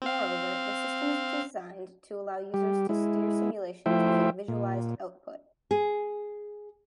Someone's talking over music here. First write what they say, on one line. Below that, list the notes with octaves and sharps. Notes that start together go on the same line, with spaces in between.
Moreover, the system is designed to allow users to steer simulations using visualised output.
C4 F5
G3 G4
G#3 E4
F3 A3 E4 C5 E5 G5
A#2
G#4